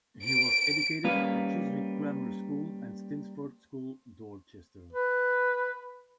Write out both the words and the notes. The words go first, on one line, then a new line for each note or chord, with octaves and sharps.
He was educated at Chiswick Grammar School and Stinsford School, Dorchester.
D7
G3 A#3 C#4 B4 F5
B4